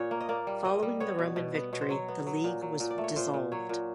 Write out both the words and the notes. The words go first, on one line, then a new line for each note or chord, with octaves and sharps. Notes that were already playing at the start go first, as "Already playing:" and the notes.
Following the Roman victory, the league was dissolved.
Already playing: A#2 C#5
A#3
D#5
A#3 D5
G3
G3 D#5
G3
B3 C#5
B2
B2
B3
B2 C#5
C5
F#3 C#5
B3
F#3
A#2
F#3
A#2
D5
A3
C#5
A#2 C5
A#2
F#3 C#5
A#2